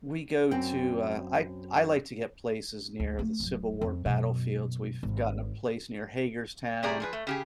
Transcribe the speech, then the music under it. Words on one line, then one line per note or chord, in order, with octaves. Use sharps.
We go to, uh I I like to get places near the Civil War battlefields. We've gotten a place near Hagerstown,
F#2 C4 G5
D2
A3 A#3
D1 F#2
F2
F#2 B2
G#1
C3 G3 G#4 D5 A#5
F3 G#4 B4
A3
C#3 G4 G#4